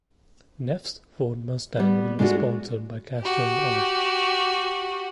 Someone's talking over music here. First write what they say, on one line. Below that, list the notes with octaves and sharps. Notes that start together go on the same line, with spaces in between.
Neff's Ford Mustang will be sponsored by Castrol Oil.
G3 B3
G#3 A3 D4 F4 F#4
F#4 G4